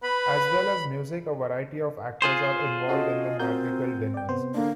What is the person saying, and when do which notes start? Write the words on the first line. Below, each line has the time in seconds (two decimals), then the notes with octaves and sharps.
As well as music, a variety of actors are involved in the madrigal dinners.
0.03 B4 B5
2.22 F4 G#4 C5
2.88 C#4 F#4 A4 D#5
3.40 C4 F#4 A#4 G6
4.14 D5 G5
4.29 C3 B3 C5
4.54 D3 A#3 D4